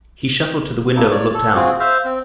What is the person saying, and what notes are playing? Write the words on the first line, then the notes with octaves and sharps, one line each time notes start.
He shuffled to the window and looked out.
A#3 D#4 E4 A4
C#5 D5
A4
C4 F4 F#4 G#4
C5 E5 F5
C4